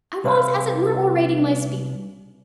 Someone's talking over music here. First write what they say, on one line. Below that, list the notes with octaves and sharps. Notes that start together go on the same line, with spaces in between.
I was, as it were, orating my speech.
C2 B4 E5 F5 C6